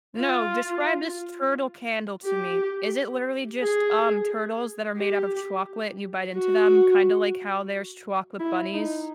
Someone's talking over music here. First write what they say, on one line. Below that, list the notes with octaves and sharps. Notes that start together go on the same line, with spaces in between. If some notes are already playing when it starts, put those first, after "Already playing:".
No, describe this turtle candle to me. Is it literally just, um, turtles that are made out of chocolate and you bite into them, kinda like how there's chocolate bunnies?
F4
G4
G#4
G4
F#4
E4
D#4